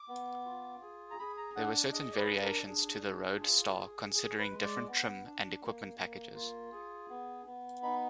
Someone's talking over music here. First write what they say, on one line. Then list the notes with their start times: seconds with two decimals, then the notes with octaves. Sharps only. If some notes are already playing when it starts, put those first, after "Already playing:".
There were certain variations to the Road Star considering different trim and equipment packages.
Already playing: D6
0.08 B3
0.45 F4
0.82 G#4
1.10 A#5
1.19 G#4 B5
1.37 A#5
1.55 D4 F#5
1.92 G#4 D#5
2.13 D5
2.17 B4
2.29 D4
2.42 A#4
2.66 D4 G#4
3.03 D4
3.40 F4
3.77 G#4
4.14 G#4
4.38 B4
4.51 G#3
4.63 D5
4.87 B3
5.25 D4
5.61 A#3
5.98 A#3
6.35 F4
6.72 G#4
7.09 B3
7.46 B3
7.82 D#4 B5